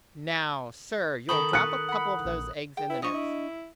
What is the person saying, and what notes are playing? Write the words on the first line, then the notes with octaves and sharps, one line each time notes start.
"Now, sir, you'll drop a couple of those eggs in the nest."
D#3 A4 G5 B5 C#6 D#6 F#7
B4 F#6 C#7
F#5 B5
A#1
G#4 G5
E4 B4
F3 D4 D#5 C#6
E4